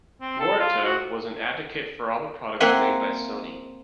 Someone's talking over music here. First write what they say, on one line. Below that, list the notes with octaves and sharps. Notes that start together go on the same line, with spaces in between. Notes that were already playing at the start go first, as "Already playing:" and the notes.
Morita was an advocate for all the products made by Sony.
C4
A4
F4
F#4
A#3 C4 C5 E5 F#5 G#5